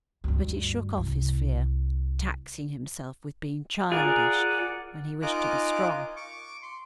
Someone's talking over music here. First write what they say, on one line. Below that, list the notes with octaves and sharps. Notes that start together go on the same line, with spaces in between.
But he shook off his fear, taxing himself with being childish, when he wished to be strong.
D2 G2
C2
F4 G#4 A#4 D5 F#5
D#4 F4 A#4 G#5 D6 F#6
C#6 D6
C6